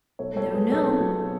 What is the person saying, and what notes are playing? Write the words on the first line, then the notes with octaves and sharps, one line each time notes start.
No, no.
B1 A4 C#5
A4 C#5
B2 F#3
G#4 B4
B1 A4 C#5
B2 F#3